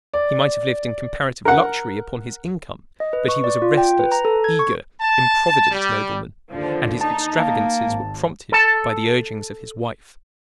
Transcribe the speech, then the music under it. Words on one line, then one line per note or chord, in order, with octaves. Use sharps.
He might have lived in comparative luxury upon his income; but he was a restless, eager, improvident nobleman, and his extravagances were prompted by the urgings of his wife.
D5
A#4 F#5
D#5
B4
C#6
D5
F4
G5
B4
A#5
A4
G#6
C#6
A5
G3
D#2 D3 F3
D#4 A5
A#3
G#1
A4 A5